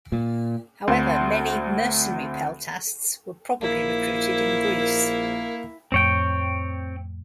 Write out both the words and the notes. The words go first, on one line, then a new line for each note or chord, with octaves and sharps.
However, many mercenary peltasts were probably recruited in Greece.
A#2
D2 C4 C5 C6
A#1 A#3 E4 A#4
F2 A2 C4 C#5 G5